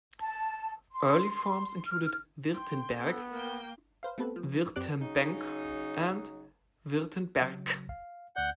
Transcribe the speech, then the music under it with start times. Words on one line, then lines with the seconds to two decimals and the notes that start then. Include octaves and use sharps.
Early forms included "Wirtenberg", "Wirtembenc" and "Wirtenberc".
0.20 A5
0.92 C6
1.85 F6
2.53 G5 C6
2.99 B3 A4
3.30 A#3 A#4 G5
4.03 B4 C5 F5
4.18 A3 B3 C4 G4 A4 B4
4.36 F3
4.76 F#2 C4 G4 D5 F#6 D7
5.01 C#3 F#3 D#4
7.40 C#3 F#3
7.89 F5
8.36 D2 D5 F#5 G6